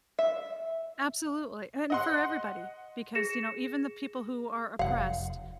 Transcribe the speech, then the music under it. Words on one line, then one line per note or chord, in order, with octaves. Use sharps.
Absolutely. And for everybody, because, you know, even the people who are oppressed,
E5
D#5 F#5 C6
G#4 A#6 C#7 E7
F1 F2 F5 F#5